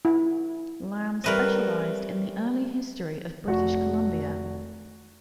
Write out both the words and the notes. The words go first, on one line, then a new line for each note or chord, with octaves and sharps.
Lamb specialized in the early history of British Columbia.
E4
G3 A3 C4 A#4 B4 D#5
F1 F#4 C#6